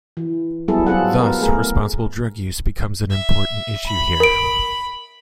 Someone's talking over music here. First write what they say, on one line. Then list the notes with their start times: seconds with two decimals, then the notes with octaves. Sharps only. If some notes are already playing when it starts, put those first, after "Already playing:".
Thus, responsible drug use becomes an important issue here.
0.17 E3
0.68 F#3 G3 B3 E4 G#4 A4
0.87 F#3 C4 F4 G#4 A4 F#5
1.18 B3 A#4
1.41 A3 G#4 A#4
3.10 E5
3.86 B5
4.20 A#4 D7